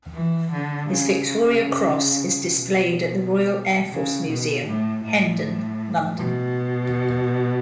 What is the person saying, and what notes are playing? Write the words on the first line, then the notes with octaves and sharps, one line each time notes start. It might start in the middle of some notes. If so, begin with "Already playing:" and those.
His Victoria Cross is displayed at the Royal Air Force Museum, Hendon, London.
E3
D3
C#3
C#3
B2
C#3
B2
A2
A2
B2